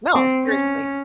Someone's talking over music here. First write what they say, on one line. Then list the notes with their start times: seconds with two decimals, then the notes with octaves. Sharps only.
No, seriously,
0.15 C4
0.45 C#4